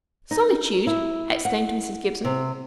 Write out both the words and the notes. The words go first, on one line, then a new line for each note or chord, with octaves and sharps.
"Solitude!" exclaimed Mrs. Gibson.
D#4
E4
F#5
C3